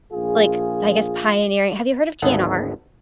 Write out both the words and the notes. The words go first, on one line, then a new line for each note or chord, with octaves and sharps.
like, I guess, pioneering Have you heard of TNR?
A#1 F4 G#4
G#1 D2 B3 G#4 A4